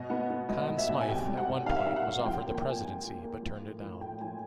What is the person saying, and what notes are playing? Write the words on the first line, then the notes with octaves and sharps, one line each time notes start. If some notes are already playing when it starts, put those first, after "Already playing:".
Conn Smythe, at one point, was offered the presidency, but turned it down.
Already playing: B2 D#5
B3
B3
F#3 D#5
F#3
E5
B2
G#5
C3 G5
G3
F#5
C3
D#3 F5
E5
D#3 F5
F#5
C3
F3 G5
G5
A#3
G5
A#3 G#5
G#2
A#3
A#3
F3
A2
F3
A2 G5
F3 G#5